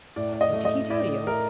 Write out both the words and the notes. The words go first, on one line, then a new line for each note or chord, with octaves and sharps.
"What did he tell you?"
A2 D5
D5
D#5
A3
D#5
A2 D5
A3 A#4